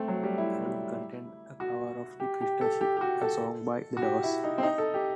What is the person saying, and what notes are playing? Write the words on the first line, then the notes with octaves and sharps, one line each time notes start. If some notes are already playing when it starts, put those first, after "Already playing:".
This album contains a cover of "The Crystal Ship", a song by "The Doors".
Already playing: A3 C4
F#3
G3
E4
F#4
G4
G4
A4
G4
G4
F#4
A4
F#4
G4
E4
D#4
C4
D#4
A4
G4